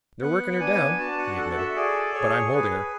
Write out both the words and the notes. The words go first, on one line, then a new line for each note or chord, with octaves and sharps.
"They're working her down," he admitted, "but I'm holding her."
B3 F#5
D4 G#5
F#4 A5
F#5
A4 F#5
E5
G#4 D5
G#4 C#5
G#4 B4
B4